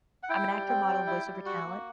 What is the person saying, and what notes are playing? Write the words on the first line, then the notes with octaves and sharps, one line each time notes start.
I'm an actor, model, and voice-over talent,
F#5
E4 G5
G3
C4
G3
E4
G3
F#4 F#5
A#3